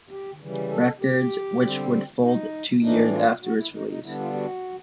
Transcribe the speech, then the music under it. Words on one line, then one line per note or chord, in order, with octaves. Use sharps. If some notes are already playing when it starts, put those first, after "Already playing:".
Records, which would fold two years after its release.
G4
C#3 E3 G3
A4
G4
D3 G3 C4
D#4
A2 E3 A3 D4 D#4
F4
F#4
E4
D#4
D#4
D3 G3 B3 D4 E4
F4
F#4